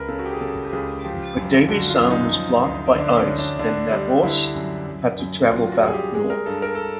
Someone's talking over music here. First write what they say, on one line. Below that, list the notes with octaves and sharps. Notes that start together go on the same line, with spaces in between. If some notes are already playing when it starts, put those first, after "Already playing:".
But Davy sound was blocked by ice and Nathorst had to travel back north.
Already playing: C#2 A#4 B4
C#3 A4
F#4
G4
G#4
C#3 A4
G4
C#2 G#4
F3 G4
F#2
D3 F#4
F#4
F4
F#2
D#4
F3
D2
D3 D4
C#4
D2
D4
D3 D4
G3
D3 E4
F#2
F#2
F#2
F#4
F#2 F4
F#4
G3 G#4
G4
G#3 G#4
A#4
G2 A4
A#4
A4